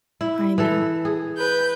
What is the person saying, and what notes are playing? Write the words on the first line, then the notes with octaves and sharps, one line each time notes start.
I know.
E4
E3 E4 A4
G#4
B4 G6